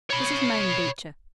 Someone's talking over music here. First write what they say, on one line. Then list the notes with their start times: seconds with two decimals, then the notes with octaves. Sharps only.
This is Mame Beecher.
0.10 C#5 B5